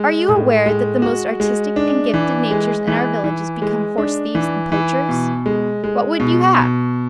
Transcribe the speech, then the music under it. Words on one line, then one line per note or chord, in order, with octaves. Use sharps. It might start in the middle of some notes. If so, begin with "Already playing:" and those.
Are you aware that the most artistic and gifted natures in our villages become horse-thieves and poachers? What would you have?
Already playing: G#3
A2
G#3
F#4
G#3
D4
E3
G#3
E3
E3
G#3
D4
E3
E3
B2
G#3
G#3
B2
B2